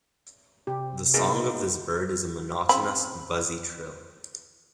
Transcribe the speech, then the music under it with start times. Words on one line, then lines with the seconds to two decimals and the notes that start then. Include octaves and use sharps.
The song of this bird is a monotonous buzzy trill.
0.67 C3 G4
1.14 A#3 B3 D#4 G#4
2.69 C#3 C4 B5